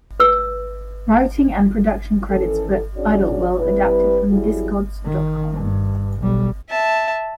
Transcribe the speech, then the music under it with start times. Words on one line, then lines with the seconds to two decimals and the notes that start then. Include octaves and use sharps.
Writing and production credits for "Idlewild" adapted from Discogs dot com.
0.20 B4 E6
2.30 D#3 E3 C#4 A4
2.96 C#4 D4 F#4 G#4 C#5 D5
3.59 G3 C4 E4 B4
4.29 F2 F#3 G3 E4 F#4 G#4
5.05 D#3
5.53 G2
6.20 B1 G3
6.70 E5 A5